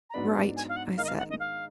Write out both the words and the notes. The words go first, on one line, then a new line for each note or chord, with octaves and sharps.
"Right," I said.
A#5
G#2 F#3 B3 D4 B5
G#5
F5
F#5
D#3 G#3 D#4 A#4 F5
D#5
F5
F#5
D#5
F5